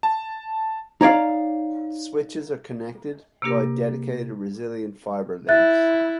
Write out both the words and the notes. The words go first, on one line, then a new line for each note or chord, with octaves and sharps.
The switches are connected by dedicated resilient fibre links.
A5
D#4 C#5 D5 F5
C3 A#3 D4 G4 A#4
E4 E5 F#6 A6